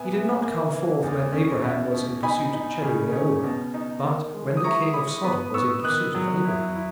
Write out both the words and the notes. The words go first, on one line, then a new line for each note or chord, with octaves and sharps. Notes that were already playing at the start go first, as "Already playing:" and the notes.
He did not come forth when Abraham was in pursuit of Chedorlaomer, but when the king of Sodom was in pursuit of Abraham.
Already playing: A#2 B3 E5 G#5
B3
A#3
E3
E2
C#4
E4
B2
D#4 G#5 B5
D#4
C#3
C#4
B2
D#4
D#3
G#3
D#6
E4 A#5 C#6
E4 B5 D#6
B3 B5 D#6
B3 C#6 E6
D#3 D#6 F#6
F#3
E4
E4